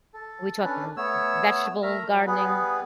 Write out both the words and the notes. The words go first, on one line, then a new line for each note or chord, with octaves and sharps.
are we talking vegetable gardening?
A4
C#4 D4 A4 B4
A3 B3 C#5 E6
A3 A#4 E5 A#5
F#3
G3 B3 G#4 B4